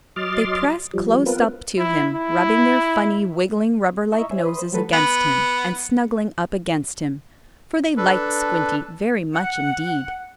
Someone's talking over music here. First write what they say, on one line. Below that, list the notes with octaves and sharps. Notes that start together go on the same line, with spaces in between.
They pressed close up to him, rubbing their funny, wiggling, rubber-like noses against him, and snuggling up against him, for they liked Squinty very much indeed.
F#3 D#5 C6 D6 F6 A6
F3 G3
B3 C4 F4 A#4 B4
E4
E4
E4 D#5 E5 A#5 C#6 E6
C5 C#5 E5 G#5
B4 B5 C6 D#6
C5
E3 F#3 G3 A3 A4 B4
B3
D4 A4 B4
F#5